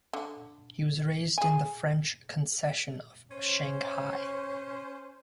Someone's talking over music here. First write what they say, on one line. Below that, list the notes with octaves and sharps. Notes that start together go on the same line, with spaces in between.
He was raised in the French Concession of Shanghai.
D3
G#4 G#5
C#4 C5